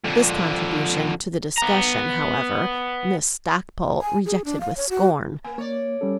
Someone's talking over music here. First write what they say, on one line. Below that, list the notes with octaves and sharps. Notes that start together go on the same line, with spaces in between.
This contribution to the discussion, however, Miss Stackpole rejected with scorn.
F2 D3
B3 A#5
G#5
G#4
D4
F5
C#5
F#4
A#3 G#5
A#3 C#5 D5
G3 C#4 A4